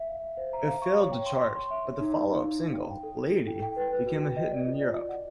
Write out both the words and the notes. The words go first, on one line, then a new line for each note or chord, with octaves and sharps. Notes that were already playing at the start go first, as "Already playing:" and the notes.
It failed to chart, but the follow-up single, "Lady" became a hit in Europe.
Already playing: E5
F5
F5
C5
A#5
F5
C#6
C#5
G5
C6
C6
C6
E5
C#5
D#4
F5
D#4
D#4
F5
G5
G5
A4
A4
E4
G5
G5
B4
B4
F#4
G5
D#5
D5
F4
D5
F4
F#5